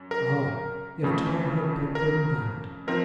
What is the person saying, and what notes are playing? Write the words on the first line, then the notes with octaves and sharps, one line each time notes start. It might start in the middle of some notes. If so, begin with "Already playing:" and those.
Ah! if Tom had but been that!
Already playing: F#2
A#4
F2 C#3 F3 A3 C#4
A#4
F3 C4 D#4 A#4